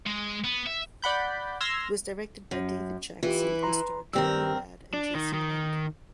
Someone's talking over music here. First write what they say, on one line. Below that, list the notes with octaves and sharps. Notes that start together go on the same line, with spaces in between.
It was directed by David Jackson and starred Jordan Ladd and Jason London.
G#3
B3
E5
D5 F#5 B5 G6
C6 E6 F6 G#6 A#6
F#2
E3 E4 F4 G4
B4 A#5 C6
G2 D#3 C4 G4 A#4 E6
D4
D#3
D#3